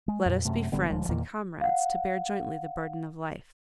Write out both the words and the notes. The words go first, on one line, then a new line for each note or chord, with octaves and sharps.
Let us be friends and comrades to bear jointly the burden of life.
G#3
F2 A#2
F#2 C3 A3
G#1 D3 G3 B3
D#1 D2 F3 G#3
E2 A#2 D#3 A#3
F5 F#5